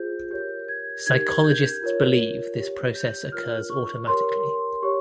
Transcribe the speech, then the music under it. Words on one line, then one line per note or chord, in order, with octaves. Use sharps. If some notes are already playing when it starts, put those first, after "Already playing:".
Psychologists believe this process occurs automatically.
Already playing: F4 G#4 C5 G6
G4 A#4 C#5 G6
G#6
D#4 G4 A#4 G#6
G6
F4 A#4 C#5
G4 C#5
G6
F4 A#4 C#5 F6
C#6
G4 A#4 C#5 C6
G4 C#5 C#6